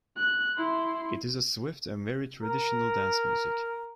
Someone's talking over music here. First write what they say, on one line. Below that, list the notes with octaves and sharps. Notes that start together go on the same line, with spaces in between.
It is a swift and very traditional dance music.
F#6
E4 C6
A#4